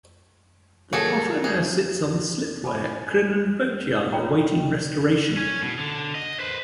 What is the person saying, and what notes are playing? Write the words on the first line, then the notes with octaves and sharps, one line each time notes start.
The puffer now sits on the slip way at Crinan boatyard awaiting restoration.
D#2 F#3 G#4 A4
G#4
D#4 G#4 A4 G#5 B5
F4 C#5 D#5 G5 A#5
C#4
B2
D3
D#5
B4 C5